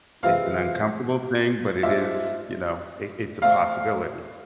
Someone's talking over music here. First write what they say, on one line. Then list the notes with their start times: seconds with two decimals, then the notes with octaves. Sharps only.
It's an uncomfortable thing, but it is, you know, it it's a possibility.
0.23 C3 E3 G#3 C4 F4 F5
1.83 G#2 G#3 D4 F4 E5
3.42 D3 A3 C4 F5